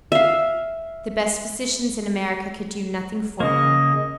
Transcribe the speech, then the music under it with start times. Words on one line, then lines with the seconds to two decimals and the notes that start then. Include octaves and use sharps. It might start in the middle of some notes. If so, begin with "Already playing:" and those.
The best physicians in America could do nothing for him.
0.12 E5 F5
3.40 C#3 A#3 D#5